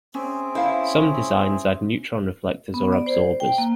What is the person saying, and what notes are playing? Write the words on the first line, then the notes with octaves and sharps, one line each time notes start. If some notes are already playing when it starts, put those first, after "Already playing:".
Some designs add neutron reflectors or absorbers.
C4 C#4 G#4 E5
C#4 E4 C5 F5
B3
D5
C5
G5
A#3